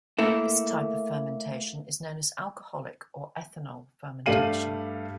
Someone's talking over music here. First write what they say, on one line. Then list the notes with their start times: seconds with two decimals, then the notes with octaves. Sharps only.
This type of fermentation is known as alcoholic or ethanol fermentation.
0.19 A3 A#3 E4
4.26 G2 G3 A3 F5 D#7 F#7